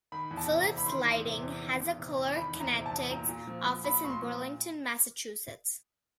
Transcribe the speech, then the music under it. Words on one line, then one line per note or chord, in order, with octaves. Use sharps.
Philips Lighting has a Color Kinetics office in Burlington, Massachusetts.
D#3 B5
E2
A5
C3
A#5
E2
B5
D#3 C6
E2
C3
E2
D#3
E2
C3
E2
D#3 B5
E2
A#5
C3
A5
E2
A#2 A#5
A#2
F3
F3
A#2 B5
A#2 C#6
C6
F3